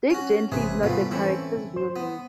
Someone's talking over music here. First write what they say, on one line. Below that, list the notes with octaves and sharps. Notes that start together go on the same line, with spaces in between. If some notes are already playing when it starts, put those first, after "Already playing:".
"Dirk Gently" is not the character's real name.
C#4 F#4
A1 C3 G#4 B4 E5
G#2 G3 A3 B3 F4 B4
E3 A3 C4 C#4 E4
C5
B3